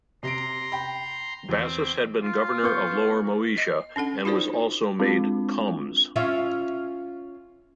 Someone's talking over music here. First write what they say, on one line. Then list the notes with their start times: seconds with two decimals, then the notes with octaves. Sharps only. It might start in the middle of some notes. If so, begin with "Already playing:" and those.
Bassus had been Governor of Lower Moesia, and was also made "comes".
0.23 C3 A#5 C6 C7 D7
0.72 G5 B5
1.49 E2 C4
2.23 F4
2.63 B3 C#6 G6
3.58 D#5
3.96 C#4 D4 A4 F#5
4.25 D#4 F4 F#4 A#4 C5 D5
4.99 G#3 C4 D4 F4
6.16 C#4 F4 E5